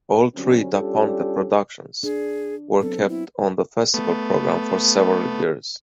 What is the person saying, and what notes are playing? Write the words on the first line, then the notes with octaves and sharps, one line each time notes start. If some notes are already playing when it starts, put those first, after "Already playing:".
All three Da Ponte productions were kept on the festival program for several years.
D3 F#3 G3 C4 C#4
G3 C#4 D4 F4 G4 A4
D4 G#4
F#3 B3 C4 A4
E4
A3 B3